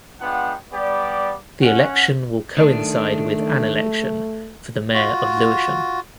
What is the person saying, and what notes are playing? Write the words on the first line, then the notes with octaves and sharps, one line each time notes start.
The election will coincide with an election for the mayor of Lewisham.
G#3 B3 D4 F4 F#5 G5
G3 B3 G4 D5
C#4 F#5
D#3 A3 D4
F4 F#4